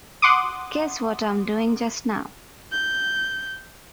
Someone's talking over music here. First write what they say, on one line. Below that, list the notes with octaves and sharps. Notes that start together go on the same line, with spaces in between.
Guess what I'm doing just now.
F#5 C6 D6 D#6
G6